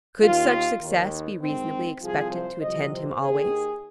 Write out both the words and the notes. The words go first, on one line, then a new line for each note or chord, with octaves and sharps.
Could such success be reasonably expected to attend him always?
D#2 D#3 F4
D#2 D#3
G#2 D#3 C4
C2 C3 F3 G#4
C5
C2 C3 F3 D#5
C5
D#2 D#3 G#4